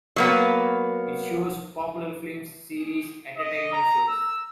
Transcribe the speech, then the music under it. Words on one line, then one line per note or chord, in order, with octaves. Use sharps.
It shows popular films, series, entertainment shows.
F#3 A#3 B3
D#5
A#5
E6